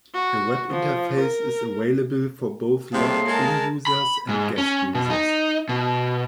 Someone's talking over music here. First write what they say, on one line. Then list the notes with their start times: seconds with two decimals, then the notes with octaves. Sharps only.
A web interface is available for both logged in users and guest users.
0.14 F#4
0.70 F3
1.20 A#4
2.93 A2 C3 G3 A#3 G#4 A5 C6
3.27 G#3 A#4 A5
3.87 B5
4.29 G#2
4.58 C#4
4.95 B2
5.10 D#4
5.69 B2